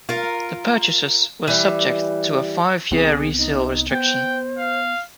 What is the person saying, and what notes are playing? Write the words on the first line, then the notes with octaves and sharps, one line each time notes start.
The purchases were subject to a five-year resale restriction.
F4 A#4
E3 G3
C2 B3 C4 G#4
D#4
B3 C5 G5
F5